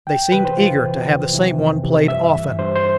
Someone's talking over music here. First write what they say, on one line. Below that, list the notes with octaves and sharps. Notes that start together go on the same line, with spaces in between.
They seemed eager to have the same one played often.
F2 G5
C3 E3 B4
C5
F2 F4
C3 E3
F2
C3 E3
F2
C3 E3
G2 E5
E3
G2 C5
C5